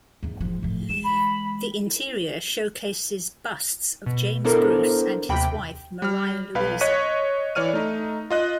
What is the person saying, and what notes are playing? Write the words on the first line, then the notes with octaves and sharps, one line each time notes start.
The interior showcases busts of James Bruce and his wife, Maria Louisa.
E2 D#3
G#2 F3
A2 F3
E3 G#3 E7
B5
B2
B3 D4 E4 A4 A#4 C5
D#2 C3 G5 B5
G3 F6
B1 B4 F5
C#5 D#5 C#6 F#6 B6 D#7
E3 C#5 D5 F6 D#7
A3 D#4
F4 D#5 F#6